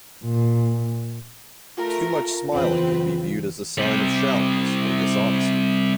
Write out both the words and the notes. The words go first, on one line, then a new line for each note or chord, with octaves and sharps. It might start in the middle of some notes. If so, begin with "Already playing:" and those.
Too much smiling can be viewed as a sign of shallowness or dishonesty.
A#2
A3 F4 A#4
E2 C#3 E3 C4 B4
C3 G3